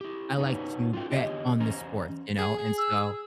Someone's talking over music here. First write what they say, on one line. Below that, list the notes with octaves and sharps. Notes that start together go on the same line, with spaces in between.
I like to bet on the sports, you know? And so,
E4 G4
C#4 D#4 F#4 G4 B4 C#5
F4 F#4 A4 G5
D3 B3 G4 G#4 C#5 D#5
E3 C#4 C5 A#5
G#4
G#4
E6